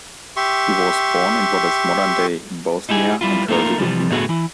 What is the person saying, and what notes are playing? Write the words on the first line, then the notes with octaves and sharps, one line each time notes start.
He was born in what is modern-day Bosnia and Herzegovina.
G4 E5 C6 C#6
D#4 E4 G4 G#4
G3 E4 F4
A3 A#3 D#4 F4 A#4
C3 E3 F3 G3
A2 D3 A3 B3 F#4 G#4
E3 E4